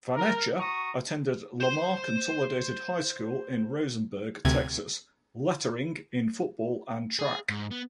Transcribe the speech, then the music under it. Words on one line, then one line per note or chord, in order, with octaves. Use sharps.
Faneca attended Lamar Consolidated High School in Rosenberg, Texas, lettering in football and track.
A#4
F#4 A#5 C#6 D#6
C5 C6
D2 C3 G#6
G#4
G#2
B3